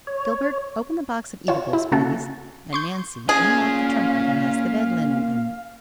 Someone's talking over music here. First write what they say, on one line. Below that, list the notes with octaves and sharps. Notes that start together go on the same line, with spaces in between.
Gilbert, open the box of eatables, please; and, Nancy, unlock the trunk that has the bed linen in it.
C#5
F4 C#5 E7
E4
C#3 A#3 C#4 F#4 A4
C6 C#6 G6
A#2 C#4 F4 G#4 F5